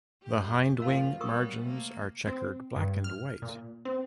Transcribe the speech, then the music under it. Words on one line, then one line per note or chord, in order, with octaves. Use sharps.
The hindwing margins are chequered black and white.
F#2 G4
A2 F3 F4 A#4 C#5 F5
F#3 G3 B3 A#4 C#6 D#6
C3 A3 A#3
C4
G2
F6
A#2
C4